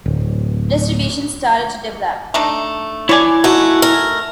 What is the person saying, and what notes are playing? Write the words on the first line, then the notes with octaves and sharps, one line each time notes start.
Distribution started to develop.
D1
A3 D4 D#4
E4 C#5 D5 G#5
A3 D#4 F#4
A#4